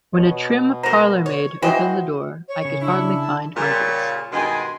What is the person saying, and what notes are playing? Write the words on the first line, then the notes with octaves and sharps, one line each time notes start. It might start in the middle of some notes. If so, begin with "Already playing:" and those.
When a trim parlour-maid opened the door, I could hardly find my voice.
B2 C#5
F#4 A#4 C5 A#5
C#5
E3 G#3 E4 F#4 C5 D#5 G5
C#5
C#3
D4 E4
A5
A#2 C#3 G3
G2 B2 D#3 G#3 G#5 C6